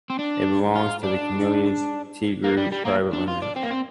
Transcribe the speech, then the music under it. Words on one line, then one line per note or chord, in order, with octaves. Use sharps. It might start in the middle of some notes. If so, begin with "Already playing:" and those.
It belongs to the Camelia Tea Group Private Limited.
C4
D4
F4
D4
A#3
G3
G3
A#3
D4
F4
D4
C4
A#3
C4